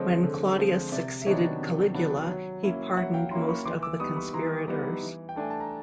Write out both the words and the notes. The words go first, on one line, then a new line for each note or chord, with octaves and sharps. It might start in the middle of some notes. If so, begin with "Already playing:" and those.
When Claudius succeeded Caligula, he pardoned most of the conspirators.
Already playing: D3 F3 G#3 C4 C#5 D#5
D3
F3 G#3 C4
C3 D5 E5
E5
D#3 F#3 B3 D4 C#5 D#5
C3
D#3 F#3 B3 D4
F#3
A#3 C#4 E4
F#3 E5 F#5
F5 G5
A#3 C#4 E4 A#5 C6
B5 C#6
E3 C6 D6
D6 E6
G3 B3 D#4 C#6 D#6
B5 C#6
E3 A#5 C6
G3 B3 D#4
E3
G5
A3 D4 G#5
A5
A#5